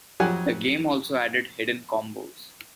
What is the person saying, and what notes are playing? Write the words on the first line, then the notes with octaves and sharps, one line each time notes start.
The game also added hidden combos.
F2 F#3 G4 F#5 G#5